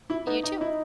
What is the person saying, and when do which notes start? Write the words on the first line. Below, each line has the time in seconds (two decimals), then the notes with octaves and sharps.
You too.
0.10 E4
0.27 B3 D#4
0.44 D#4
0.60 D#4 E4